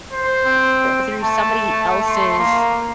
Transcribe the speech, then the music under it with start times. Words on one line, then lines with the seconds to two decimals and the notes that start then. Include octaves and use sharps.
uh, through somebody else's,
0.13 C5
0.45 C4
1.23 A3 A5
2.08 C6
2.38 A#3